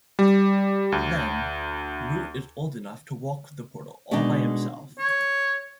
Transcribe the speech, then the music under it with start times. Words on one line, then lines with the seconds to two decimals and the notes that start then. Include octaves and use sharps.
Then, Root is old enough to walk through the portal all by himself.
0.19 G3
0.92 D2
4.11 B2 G#3 D4 D#4
4.98 C#5